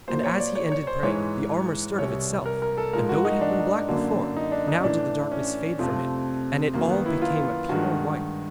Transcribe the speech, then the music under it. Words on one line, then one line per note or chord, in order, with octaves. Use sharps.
And as he ended praying, the armour stirred of itself, and though it had been black before, now did the darkness fade from it, and it all became a pure white.
A#2 F#3 A#3 C5
C#5
D5
C#5
C#5
C5
G#2 E3 G#3 C#5
C2 B2 G3 C#5
A#4
A#4
A4
G#2 F3 G#3 A#4
F#4
D#4
D4
F#2 D3 F#3 A#3
D#4
D4
D#4
C#4
A2 E3 A3 D4
C#4
F2 C3 F3 A3 C4
F#2 D#3 F#3 A#3
B3
E4
F4
G2 D#3 G#3 F#4